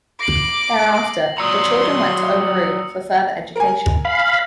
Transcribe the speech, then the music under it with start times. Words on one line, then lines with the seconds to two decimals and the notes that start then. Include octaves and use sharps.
Thereafter, the children went to Oamaru for further education.
0.21 D6 A#6 C7 F#7
1.38 F#3 D5 A#5 C6 D#6 E6 C#7
3.56 A#4 G#5
4.05 F5 B5